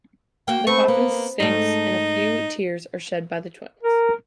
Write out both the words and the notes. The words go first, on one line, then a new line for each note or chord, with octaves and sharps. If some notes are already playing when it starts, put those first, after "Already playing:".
The coffin sinks and a few tears are shed by the twins.
A#3 F#4 G5
A3 C4 B4 C#6
A#3 B3
G#2 A3 D#4
A#4